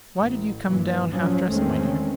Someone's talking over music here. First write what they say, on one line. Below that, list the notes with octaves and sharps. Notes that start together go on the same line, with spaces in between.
"Why did you come down half-dressed, my dear?"
A1
G2 A#2 E3
A1 F#2 F3 F#3 C#4
E2 D#3 G#3 A3 C4 C#4